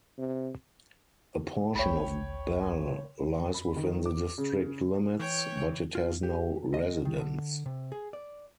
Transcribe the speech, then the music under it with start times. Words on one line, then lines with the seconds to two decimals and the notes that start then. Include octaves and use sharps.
A portion of Bell lies within the district limits, but it has no residents.
0.18 C3
1.75 A1 D2 C#5 G5 B5
3.54 B5
3.77 D#3
4.06 D6
4.38 C#3
5.19 E3 C#5 G5
5.95 F4
6.23 G4
6.74 D#5
7.05 D#3
7.18 D3
7.66 C3
7.92 G#4
8.13 D5